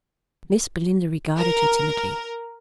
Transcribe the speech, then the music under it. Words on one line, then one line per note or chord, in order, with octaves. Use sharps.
Miss Belinda regarded her timidly.
A#4